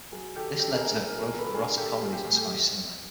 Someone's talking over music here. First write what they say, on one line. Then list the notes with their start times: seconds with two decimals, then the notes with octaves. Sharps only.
This led to a growth of erotic comedies on Spanish cinema.
0.12 F#3 G#4
0.36 D#3 G4 A4
0.59 D4 G4 A4
0.75 G#4 A#4
0.82 A#3
0.91 G#4 A#4
1.06 F#3 G#4 A#4
1.23 G#4 A#4
1.30 D#3
1.38 A4 B4
1.54 D4 G#4 A#4
1.77 A#3 G4 A4
2.01 F3 G#4
2.13 G4
2.25 A2 G#4
2.36 G4 A4